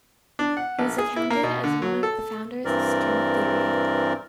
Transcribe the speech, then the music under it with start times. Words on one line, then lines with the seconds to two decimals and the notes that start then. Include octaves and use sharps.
He was accounted as one of the founders of string theory.
0.39 D4
0.57 F#5
0.79 A#1
0.98 G#4
1.16 E4
1.30 A#3
1.43 B2
1.64 D3
1.82 F#3
2.03 A4
2.65 G2 E3 C4 A#4 D5